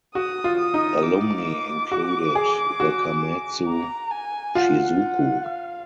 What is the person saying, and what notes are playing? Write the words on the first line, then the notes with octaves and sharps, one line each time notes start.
Alumni included Wakamatsu Shizuko.
F#4 D#6
F4
D#6
D#4
D6
F#4
G#4
F#4
A#5
G#5
F4 F#5
F#5
F5